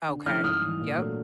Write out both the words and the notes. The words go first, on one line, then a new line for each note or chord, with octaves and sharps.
Okay, yep.
D3
F3 A3 C#4 E4 F6 G6
G#2 D#6 F6
E3 G3
A#2
F#3 A3 D4